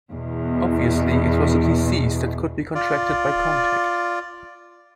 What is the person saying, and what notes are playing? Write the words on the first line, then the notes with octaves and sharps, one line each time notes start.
Obviously, it was a disease that could be contracted by contact.
E2 B2
F4 D5